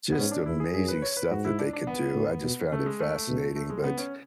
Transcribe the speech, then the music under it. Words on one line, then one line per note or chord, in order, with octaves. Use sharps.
just amazing stuff that they could do, I just found it fascinating, but,
B3
G#2 C#4
D4
E2 E4
G#4
F#2 G#4
B4
C#5
B4
G#2 F#4
E4
D4
D4
B3
A2
B2
C#3 A3
G#3
A3
B2
A3
G#3
C#3 B3
C#4